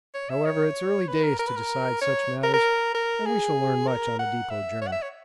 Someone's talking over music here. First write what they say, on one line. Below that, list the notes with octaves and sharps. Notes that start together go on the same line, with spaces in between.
However, it's early days to decide such matters, and we shall learn much on the depot journey.
C#5
E5
C#5
B4
A#4
A#4
B4
A#4
C#5
A#4
A#4
A#4
G#4
A#4
F#5
E5
C#5
F#5
E5
C#5